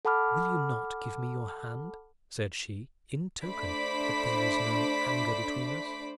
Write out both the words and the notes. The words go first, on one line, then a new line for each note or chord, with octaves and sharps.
"Will you not give me your hand," said she, "in token that there is no anger between us?"
A4 F#5 A5 B5 D6 F6
A3 D4 C5 B5 D6 B6